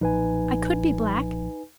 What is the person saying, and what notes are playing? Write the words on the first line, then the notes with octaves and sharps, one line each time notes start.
I could be black.
B1 A#2 F3 D#4 B4 G#5